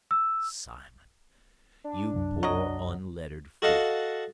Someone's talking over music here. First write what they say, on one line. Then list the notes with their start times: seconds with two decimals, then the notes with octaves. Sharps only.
Simon! you poor unlettered fool.
0.11 E6
1.84 D4
2.14 C2 F#2
2.43 F#3 D#5
3.62 F#4 A4 D#5 F5 F#5 A5